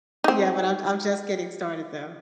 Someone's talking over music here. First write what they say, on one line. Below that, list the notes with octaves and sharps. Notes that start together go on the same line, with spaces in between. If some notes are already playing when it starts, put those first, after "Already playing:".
Yeah, but I'm I'm just getting started though.
C4 D#4